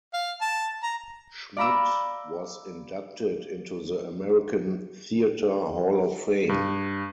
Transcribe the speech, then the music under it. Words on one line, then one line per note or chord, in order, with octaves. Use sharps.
Schmidt was inducted into the American Theatre Hall of Fame.
F5
A5
A#5
D5 F5 A#5 B5 D6 E6
G2